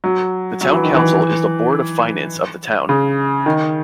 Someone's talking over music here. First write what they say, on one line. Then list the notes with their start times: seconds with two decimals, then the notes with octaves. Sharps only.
The town council is the board of finance of the town.
0.04 F#3
0.61 F#3
0.73 E3
0.84 D#3
0.94 E3
2.89 C#3
3.46 D#3